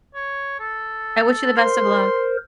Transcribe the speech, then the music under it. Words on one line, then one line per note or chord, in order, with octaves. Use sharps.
I wish you the best of luck.
C#5
A4
A#4 C5 C6